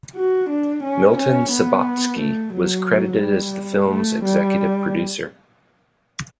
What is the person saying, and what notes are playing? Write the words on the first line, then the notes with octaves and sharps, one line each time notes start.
Milton Subotsky was credited as the film's executive producer.
F#4
D4
C#4
C#4
B3
A3
F#3
G3
A3
G3